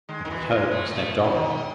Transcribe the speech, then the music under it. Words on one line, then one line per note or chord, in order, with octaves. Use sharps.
The White Hope slept on.
D#3 G#3
F#2 D#3
E3
E2
F#2 G#3
F#2 A3
G#2
B2 A3
A2
B2
C#3
B2 D#3